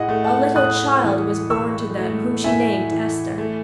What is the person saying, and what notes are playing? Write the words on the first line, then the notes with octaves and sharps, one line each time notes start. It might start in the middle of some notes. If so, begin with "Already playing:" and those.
A little child was born to them whom she named Esther.
Already playing: A2 G#4 D#5 F#5
A3
F#5 A5
A2 D#6 F#6
E3
A2 C#6 E6
A3
A2 E5 G#5
E3
A3